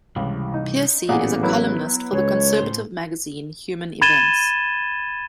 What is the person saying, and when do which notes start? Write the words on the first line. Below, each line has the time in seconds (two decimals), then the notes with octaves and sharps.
Pearcey is a columnist for the conservative magazine "Human Events".
0.16 C#2 C3 E3 G3
0.54 D#4
1.09 A1 A#2 B3 G#4 F#5
1.43 F#3 E4 B4
2.13 C#2 G#3 C#5
2.57 A2 C5
4.02 B5 G#6 A6 D#7 E7 G7